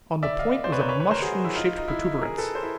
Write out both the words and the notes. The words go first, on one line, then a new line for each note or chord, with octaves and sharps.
On the point was a mushroom shaped protuberance.
D5 E5
D#5 F5
C5 D5
B4 C#5
A#4 C5
B4 C#5
B4 C#5
A#4 C5
F#4 G#4
E4
D#4 F4
D#4
E4
G#4 A#4
A4 B4
A#4 C5
E4